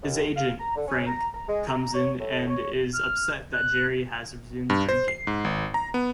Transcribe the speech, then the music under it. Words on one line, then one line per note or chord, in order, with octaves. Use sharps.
His agent, Frank, comes in and is upset that Jerry has resumed drinking.
D#2
F5
A#5
D3
C#4
A#5
A#5
G#3
A#5
C#5
A2
C#5
F6
F#6
G2
C5
C7
G#2
G#1
A#5
B3